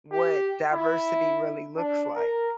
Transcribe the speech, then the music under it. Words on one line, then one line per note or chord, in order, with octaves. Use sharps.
what diversity really looks like,
G4
E4
D4
A#4